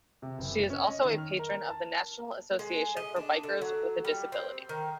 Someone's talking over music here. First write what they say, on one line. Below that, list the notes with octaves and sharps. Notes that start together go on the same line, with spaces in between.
She is also a patron of the National Association for Bikers with a Disability.
C3
F#1
C#4
D#5
D#3
F6
A#4
A5
G#3
D#5
D4
D3
F#3
G3
C4
D#3